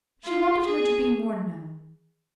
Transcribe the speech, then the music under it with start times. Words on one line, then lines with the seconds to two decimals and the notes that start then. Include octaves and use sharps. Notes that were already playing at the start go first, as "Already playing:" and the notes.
She wanted her to be more known.
0.25 F4
0.65 G#4